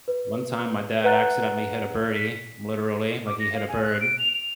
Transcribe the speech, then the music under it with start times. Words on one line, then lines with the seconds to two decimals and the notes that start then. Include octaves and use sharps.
one time my dad accidentally hit a birdie, literally, like, he hit a bird.
0.08 B4
1.04 B4 F#5 A#5 F#6 A6
2.16 B6
3.27 D6
3.40 A#6
3.54 F5
3.69 G#5
3.84 F#6
4.01 D7
4.19 F7
4.33 F7